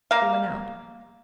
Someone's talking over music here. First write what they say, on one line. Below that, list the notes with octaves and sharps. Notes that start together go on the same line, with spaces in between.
She went out.
A#3 F5